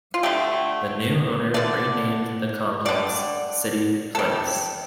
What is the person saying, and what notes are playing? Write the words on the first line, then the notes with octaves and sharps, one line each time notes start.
The new owner renamed the complex City Place.
F4
D3 A3 G4
D3 A3 D5
D3 G3 D5
C3 G3 A4